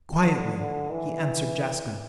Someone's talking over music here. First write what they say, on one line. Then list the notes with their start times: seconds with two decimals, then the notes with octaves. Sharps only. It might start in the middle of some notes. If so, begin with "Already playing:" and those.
Quietly be answered Jaska.
0.21 D3
0.56 D3
0.91 E3